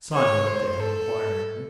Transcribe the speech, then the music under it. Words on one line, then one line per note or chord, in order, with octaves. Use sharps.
Sonia looked at him inquiringly.
C#5
C5
A4